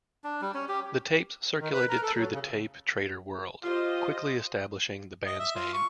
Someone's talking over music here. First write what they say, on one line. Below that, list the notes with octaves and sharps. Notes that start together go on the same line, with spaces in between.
The tapes circulated through the tape trader world, quickly establishing the band's name.
D4
G3
C#4
G4
D#3
B4
A#4
A4
F#3
C#3
F4 G4 C5 D#5
D#5
E5
F4
C#6